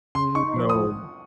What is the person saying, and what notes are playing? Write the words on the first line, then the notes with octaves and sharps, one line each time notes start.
you know,
C#3 C6
D#4 C#6
F3
D#6